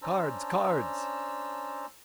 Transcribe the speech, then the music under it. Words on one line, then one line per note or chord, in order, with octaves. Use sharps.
Cards! cards!
C#4 D4 C5 A5 A#5 E6